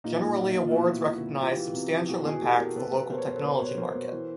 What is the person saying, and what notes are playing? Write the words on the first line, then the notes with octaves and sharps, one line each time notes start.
Generally awards recognise substantial impact to the local technology market.
A#2 D#4 F4
A#2
A#2
A#2
F4
B2 E4 F#4
B2
B2
B2
E3 F4 G4
E3
C3
E3
B2 F#4 G#4
B2 F#4 G#4
B2 G4 A4
B2 G#4 A#4
B2 A4 B4
B2
B2 A#4 C5
B4 C#5
B2 A#4 C5
A4 B4
B2 A#4 C5
B2 B4 C#5
B2 A#4 C5
B2
E3